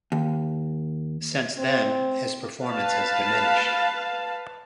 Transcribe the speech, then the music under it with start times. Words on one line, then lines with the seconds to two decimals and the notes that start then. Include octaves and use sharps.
Since then, his performance has diminished.
0.12 D#2
1.59 C4
2.62 B4 F5 A5